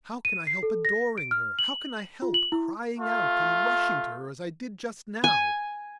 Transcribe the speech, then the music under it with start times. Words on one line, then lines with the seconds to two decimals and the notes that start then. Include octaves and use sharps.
How can I help adoring her, how can I help crying out and rushing to her as I did just now?
0.25 D#7
0.47 C7
0.63 A4
0.85 A#6
1.18 D7
1.31 F6
1.59 F#7
2.22 F4
2.34 F#7
2.52 E4
2.99 A3 F4
5.24 G#5